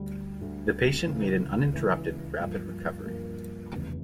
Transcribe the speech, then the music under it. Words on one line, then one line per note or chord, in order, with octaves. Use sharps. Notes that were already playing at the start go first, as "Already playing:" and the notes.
The patient made an uninterrupted, rapid recovery.
Already playing: D2 D3 G3
D2 D3 G3
C#2 C#3 E3
C#2 C#3 E3
G2 F3 A#3
G2 F3 A#3
F1 E2 C#3